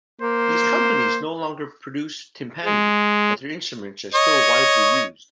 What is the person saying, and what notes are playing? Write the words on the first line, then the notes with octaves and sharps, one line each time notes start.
These companies no longer produce timpani, but their instruments are still widely used.
A#3 C5
G#3
C#5 D#5